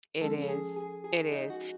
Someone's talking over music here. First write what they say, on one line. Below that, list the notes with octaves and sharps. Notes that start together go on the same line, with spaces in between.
It is, it is,
F3 G#3 C#4 A4 A5
G#4 G#5
G#4 G#5
G#4 G#5
D#4 D#5
F#4 F#5